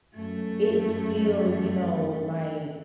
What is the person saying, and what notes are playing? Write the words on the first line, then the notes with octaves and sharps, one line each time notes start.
it still, you know, like,
F#2 A3